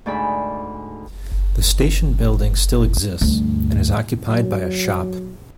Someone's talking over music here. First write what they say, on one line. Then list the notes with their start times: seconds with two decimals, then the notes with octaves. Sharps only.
The station building still exists, and is occupied by a shop.
0.06 D2 G#2 D5 E5 B5
3.21 D2 G2
4.30 F#3